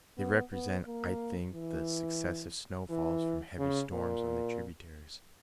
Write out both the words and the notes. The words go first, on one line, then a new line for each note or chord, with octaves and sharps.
They represent, I think, the successive snowfalls from heavy storms on the tributaries.
B3
B3
A#3
E3
E3
C#3
A#2